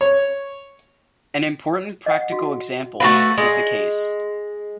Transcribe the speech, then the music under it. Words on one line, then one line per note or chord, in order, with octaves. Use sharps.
An important practical example is the case.
C#5
D#5 F#5
F#4
A3 F#4 B4 F5 F#5 C#6
G#3